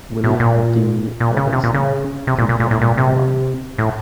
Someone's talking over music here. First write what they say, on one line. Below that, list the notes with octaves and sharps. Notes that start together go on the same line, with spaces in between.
William D. Robertson, Junior in command.
A2
A#2
A#2
C#3
C3
A#2
C#3
C3
A#2
A#2
A#2
A2
A#2
C3
A2